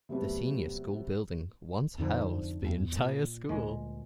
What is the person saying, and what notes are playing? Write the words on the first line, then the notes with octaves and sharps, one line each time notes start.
The senior school building once housed the entire school.
C3 F#3 G3 A3 B3
F2 G#2 D3 F3
E2
A#2
D2 A#2 G#3